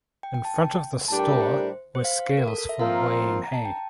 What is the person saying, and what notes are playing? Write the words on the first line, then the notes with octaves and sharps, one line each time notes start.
In front of the store were scales for weighing hay.
G5
G5
A5
G5
A2 G3 D4 G4 A#4 A5
G5
E5
C5
C5
F5
A#4
A4
A4
E5
A#2 F3 C4 F4 A#4 F5
A#5
A5
G5